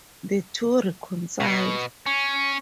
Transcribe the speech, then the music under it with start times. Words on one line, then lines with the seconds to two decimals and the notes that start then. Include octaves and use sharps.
The two reconcile.
1.40 B2
2.06 C#4